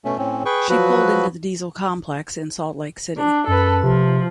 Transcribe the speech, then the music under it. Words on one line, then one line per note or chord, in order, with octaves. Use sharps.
She pulled into the Diesel Complex in Salt Lake City.
B2 A3 C#4
A2 C4 C#4
G#4 B4 G5 C#6
F3 F#3 F#4 B4
D4
F#2 A4 B4
C3 F3